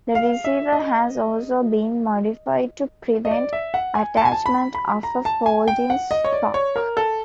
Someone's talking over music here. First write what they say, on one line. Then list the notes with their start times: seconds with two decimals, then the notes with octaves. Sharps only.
The receiver has also been modified to prevent attachment of a folding stock.
0.15 F5
0.44 E5
0.73 D#5
3.25 D#5
3.31 D5
3.53 E5
3.74 F#5
3.95 G#5
4.17 A5
4.25 G#5
4.32 A5
4.46 B5
4.75 B5
5.03 A#5
5.25 A5
5.46 G#5
5.68 G5
5.90 F#5
6.11 D#5
6.24 C#5
6.33 D5
6.54 C#5
6.76 A#4
6.97 A4